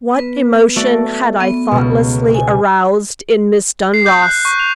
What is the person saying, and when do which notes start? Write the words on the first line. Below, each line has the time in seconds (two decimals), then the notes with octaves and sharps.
WHAT emotion had I thoughtlessly aroused in Miss Dunross?
0.15 B3 B4
0.76 A3 F#4 D5
1.40 B3
1.71 C#2 B2
2.34 G#5
3.94 C7
4.06 G6
4.22 F#6
4.45 C#6
4.59 F7